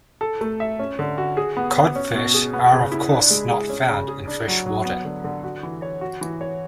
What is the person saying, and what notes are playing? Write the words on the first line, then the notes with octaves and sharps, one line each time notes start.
Cod fish are of course not found in fresh water.
A4
A3
E5
C#4
D3
F#4
G#4
B3
B3
C#4
B2
G#4
B3
C#3
E4
D4
G#3
G#4
C#4
C#3
G#4
D4
F#3
F#3
B3
D3
D3
F#4
E3
C#5
F#4
E3
C#5